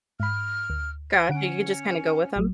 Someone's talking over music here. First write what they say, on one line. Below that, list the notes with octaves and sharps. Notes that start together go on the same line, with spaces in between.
Gotcha. You just kinda go with them?
G#2 B5 F6
D2
D3 C#4 F#5 D7
A1 F#3